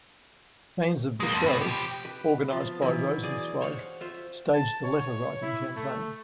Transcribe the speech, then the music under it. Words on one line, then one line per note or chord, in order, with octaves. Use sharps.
Fans of the show, organized by Rosenzweig, staged a letter-writing campaign.
G#3 A#3
F2
B2
F3 G4
B4
F3 B3 A5 C6
B2 E3 F#3
G#4 D5 G#5
C5 C#5 F5 F#5
F4 C5 E5
A5
C#5
E4
A3